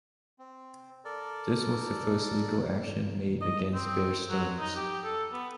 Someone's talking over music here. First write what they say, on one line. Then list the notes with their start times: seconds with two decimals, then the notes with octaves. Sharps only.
This was the first legal action made against Bear Stearns.
0.39 C4
1.05 A4 A#4 D5
3.41 D#5
3.74 C4
4.30 F#3
4.59 D#4
4.76 G4
5.04 A4
5.32 B3